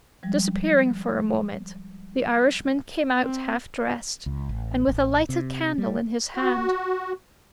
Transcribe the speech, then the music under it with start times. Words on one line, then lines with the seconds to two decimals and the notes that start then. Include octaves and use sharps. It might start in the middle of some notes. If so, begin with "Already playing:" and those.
Disappearing for a moment, the Irishman came out half dressed and with a lighted candle in his hand.
0.23 F3 G3 G#3
3.21 C4
4.26 C#2
4.49 A1
4.87 A1
5.29 C3
5.78 G3
6.35 F#4